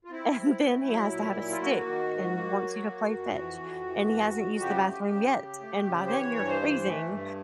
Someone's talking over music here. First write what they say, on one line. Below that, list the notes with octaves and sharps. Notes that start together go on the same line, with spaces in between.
and then he has to have a stick and wants you to play fetch, and he hasn't used the bathroom yet, and by then, you're freezing.
F4
C4 E4
C4
A3
F#3
A#2
F#3
F4
A#3 F#4
D#3
G#2
A#3
F#3
A#3
F2
E3
F2
E3
F2
F2
C#3 G4
A3
C#3
C#3
A3
C#3
C5
E3 C#5
G2
C5
E3
A3
G2